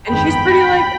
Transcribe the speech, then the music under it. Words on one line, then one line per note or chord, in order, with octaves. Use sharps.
and she's pretty like
G1 F2 D#3 G#3 B3 G5 B5
D#2